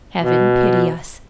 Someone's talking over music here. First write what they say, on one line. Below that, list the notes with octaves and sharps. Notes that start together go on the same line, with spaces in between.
Heaven pity us!
B2